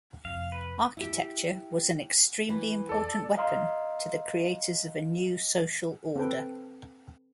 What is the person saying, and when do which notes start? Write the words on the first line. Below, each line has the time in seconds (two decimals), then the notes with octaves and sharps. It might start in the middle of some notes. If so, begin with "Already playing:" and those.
Architecture was an extremely important weapon to the creators of a new social order.
0.25 F1 F2 F5
0.52 B4
0.97 E4 G4
2.49 E3 B4
2.89 A4 D5
3.37 D#5 F5 A#5 C6
6.16 C4 A4 B4 G5